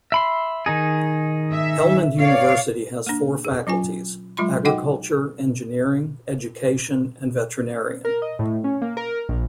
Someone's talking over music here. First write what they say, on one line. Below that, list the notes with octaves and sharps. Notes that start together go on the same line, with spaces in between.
Helmand University has four faculties, Agriculture, engineering, education and veterinarian.
E5 B5 C6
D#3 D#4 G#4
E5
C#5 D5 F5
A#3 D4
G#4
F#3 C#4 F4 G#5
F#3 G#3 F4 B5 C6
D#4 F#4 D#5 F#5 G5 D6
A#4
D#5
A2
C#4
A#3
A#4
A#1